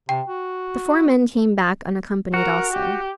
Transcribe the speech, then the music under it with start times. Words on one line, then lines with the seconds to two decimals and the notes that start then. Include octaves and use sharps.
The four men came back unaccompanied also.
0.09 C3 G5
0.28 F#4
2.34 F#4 A#4
2.73 G4